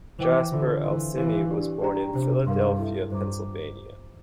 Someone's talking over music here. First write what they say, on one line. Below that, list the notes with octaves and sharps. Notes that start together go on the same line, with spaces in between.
Jasper "Al" Cini was born in Philadelphia, Pennsylvania.
E3 C5 G5 D6
D3 D4 F4 A4 C5 E5
E3 C5 F5 C6
E3 E4 A#4 F5 C6
D4 G4 D5
D4 G4 D5 G5 A#5
C3 D4 G4 C5
G2 A#4 F5 C6
E4 A4 E5
G2 F4 C5 E5 A#5 D6